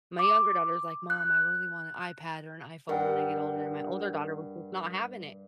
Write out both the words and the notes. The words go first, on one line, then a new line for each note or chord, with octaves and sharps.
My younger daughter is like, "Mom, I really want an iPad or an iPhone when I get older," and my older daughter was just not having it.
D6
F#6
G2 A#4 F#5 G5